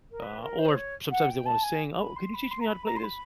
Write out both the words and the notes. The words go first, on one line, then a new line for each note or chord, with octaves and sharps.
uh, or sometimes they wanna sing, oh, could you teach me how to play this?
A#4
B4
A#4
C5
C#5
F#5
G5
A5
G#5
B5
C6
B5
C6
A#5
B5
A#5
C6
B5